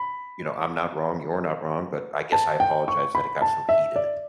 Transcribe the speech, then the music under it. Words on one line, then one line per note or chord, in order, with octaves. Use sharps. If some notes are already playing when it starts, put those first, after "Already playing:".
you know, "I'm not wrong, you're not wrong, but I guess I apologize that it got so heated."
Already playing: B5
A5
G5
C#6
B5
A5
E5
D5